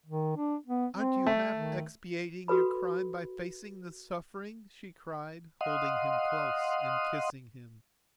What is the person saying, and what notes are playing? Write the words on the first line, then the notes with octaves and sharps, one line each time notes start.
"Aren't you half expiating your crime by facing the suffering?" she cried, holding him close and kissing him.
D#3
D4
B3
C4
A3
D#3
F#4 A4 B4 B5
D#5 F5 F#5 C6 D#6